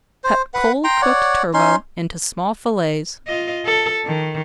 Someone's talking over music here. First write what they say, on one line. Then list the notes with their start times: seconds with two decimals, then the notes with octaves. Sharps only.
Cut cold cooked turbot into small fillets.
0.24 C5
0.54 B4 F#5
0.84 G5 A#5 C6
1.02 C#5 D5 F#5
1.54 C#4 D#4 C6
3.27 F4 D#5
3.65 A4
4.06 D#3